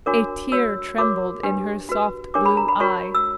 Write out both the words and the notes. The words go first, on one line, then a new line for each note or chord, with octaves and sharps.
A tear trembled in her soft blue eye.
D4 F#4 A#4 C#5 D6
F#4 C#5 E6
F#4 A#4 C#5 D6
D4 G4 B4
F#4 B4
D4 G4 A#4 C#5 D6
B5
A#5
B5
F#4 A#4 C#5 C#6
E6